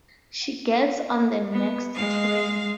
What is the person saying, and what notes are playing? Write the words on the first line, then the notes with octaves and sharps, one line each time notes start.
She gets on the next train.
B3
G#3 F5